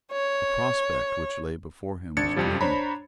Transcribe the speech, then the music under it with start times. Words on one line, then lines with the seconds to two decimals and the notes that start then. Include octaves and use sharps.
The prospect which lay before him was gloomy.
0.12 C#5
2.17 G#1 D4 G#6 A6 C#7
2.36 F2 C3 F3 G3
2.61 D4 C5 C#5 A#5 B5